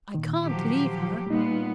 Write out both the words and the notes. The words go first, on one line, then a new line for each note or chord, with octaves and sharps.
'I can't leave her.
A#2 D#3
F3 F#3 G4
A#2 G3 B3 D#4